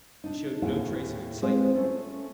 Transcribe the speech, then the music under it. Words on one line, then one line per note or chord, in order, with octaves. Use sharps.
He showed no trace of excitement.
D4 D#4
D#2 A#2 E4 G#4 F#5
D#2 A2 G5
G#3 C4 F4 G#4 B4 C5
A3 C#4